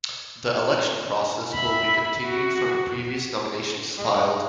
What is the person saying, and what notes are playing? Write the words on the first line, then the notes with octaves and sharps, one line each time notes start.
The election process will be continued from the previous nominations filed.
E5 B5
F#4
G#3